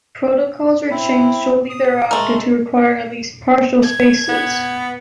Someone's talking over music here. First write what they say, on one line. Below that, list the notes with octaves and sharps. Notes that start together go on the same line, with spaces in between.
Protocols were changed shortly thereafter to require at least partial spacesuits.
C4 E4
D#6
G#3 A3 A#4
G#6
B3